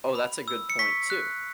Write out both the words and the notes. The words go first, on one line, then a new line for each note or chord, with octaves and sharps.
Oh, that's a good point, too.
B5
E6
C#7
C#6 B6
F#6